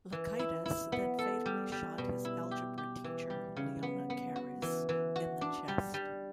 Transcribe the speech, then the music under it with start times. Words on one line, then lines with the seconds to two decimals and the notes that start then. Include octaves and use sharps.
Loukaitis then fatally shot his algebra teacher Leona Caires in the chest.
0.12 E3
0.39 E4
0.65 E4
0.92 B3
1.19 A4
1.46 G3
1.72 G3
1.98 B2
2.25 E4
2.51 G4
2.78 G4
3.04 E3
3.30 G3
3.56 C#3
3.83 B3
4.10 B3
4.36 F#4
4.62 E3
4.89 E3
5.16 F#4
5.41 D4
5.68 G3
5.94 G3